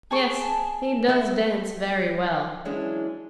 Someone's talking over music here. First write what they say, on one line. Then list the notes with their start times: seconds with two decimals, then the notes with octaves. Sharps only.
"Yes, he does dance very well."
0.11 G#4 G#5 A5 C#6
1.08 B3 A#4 E5 F#5
2.65 E3 F#3 G#3 C#4 D4